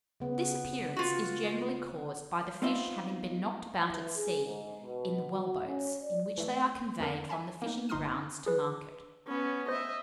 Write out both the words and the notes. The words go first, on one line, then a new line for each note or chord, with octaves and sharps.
This appearance is generally caused by the fish having been knocked about at sea, in the well-boats, in which they are conveyed from the fishing-grounds to market.
C#3 B3
F4 F#4
B3 C4 D#4 F4 D#5 E5
E3
G#4
G#2
B2
F#4
C#4
D5
E3 A3
F2 A#4
E5 G#5 A5 B5
A#3 D#4
G1 D#4 C6 D#6 F6 D#7
G#4 B4
B3 C#4
C5 D#5 E5